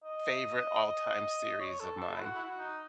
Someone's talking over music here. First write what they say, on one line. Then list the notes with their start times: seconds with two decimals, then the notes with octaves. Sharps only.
favorite all-time series of mine.
0.04 D#5
1.60 C#5
1.80 A4
2.00 A4
2.14 E4
2.20 F#4
2.36 E4
2.39 F#4
2.58 D#4